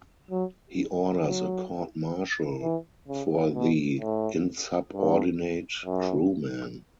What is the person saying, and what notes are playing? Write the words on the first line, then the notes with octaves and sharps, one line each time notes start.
He orders a court-martial for the insubordinate crewman!
F#3
F#3
E3
C#3
B2
A2
G2
F#2